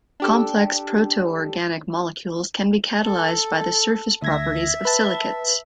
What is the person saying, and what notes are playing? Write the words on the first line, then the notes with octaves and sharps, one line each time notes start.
Complex proto-organic molecules can be catalysed by the surface properties of silicates.
D4 G4 A4
A4
D2 E5 G#6 A#6
B4 A5